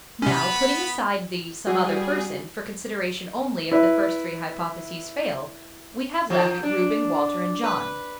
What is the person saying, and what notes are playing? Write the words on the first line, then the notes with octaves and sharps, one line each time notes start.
Now, putting aside the 'some other person' for consideration only if the first three hypotheses fail, we have left, Reuben, Walter, and John.
C3 B3 C#4 B5
G3 F#4 G#4
E4 B4 E5
F3
D4
B4